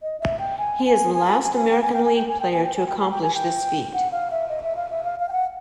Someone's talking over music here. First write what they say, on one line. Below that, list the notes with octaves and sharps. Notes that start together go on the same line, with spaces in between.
He is the last American League player to accomplish this feat.
D#5
E5
G5
G#5
G#5
G#5
G#5
G#5
G#5
G5
G#5
G5
G#5
G5
G#5
G5
G#5
G5
G#5
G5
G#5
G5
G#5
G5
F#5
F5
E5
D#5
E5
F5
E5
F5
F5
G5
F#5